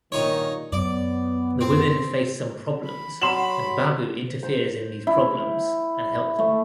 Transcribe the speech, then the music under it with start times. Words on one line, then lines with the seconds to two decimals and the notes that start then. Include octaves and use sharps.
The women face some problems and Babu interferes in these problems and help them.
0.12 G2 A#2 D#3 D#4 C#5
0.72 F#2 B3 D5
1.61 C4
2.85 B5
3.21 F#3 B5 C6 E7 F#7
4.43 C5
5.07 E4
6.39 A3